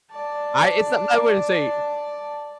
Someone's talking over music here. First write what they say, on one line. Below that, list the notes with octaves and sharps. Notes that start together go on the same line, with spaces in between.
I It's not I wouldn't say
D5 A5